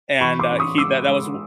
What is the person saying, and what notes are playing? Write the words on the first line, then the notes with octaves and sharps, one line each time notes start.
and, uh, he that that was wo
E3 B5 C#6
C6 D6
C#4
C#6 D#6
G#3 D6 E6
G#3